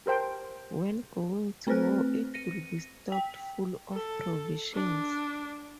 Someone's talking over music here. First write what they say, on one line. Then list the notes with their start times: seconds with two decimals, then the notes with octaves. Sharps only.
When going to war it will be stocked full of provisions.
0.06 G4 A#4 C5 G5 A5
1.67 A3 C4 B4 C5 F6 F#6
2.34 A#6 C#7 D#7
3.12 G5 B6
3.92 A4
4.74 D4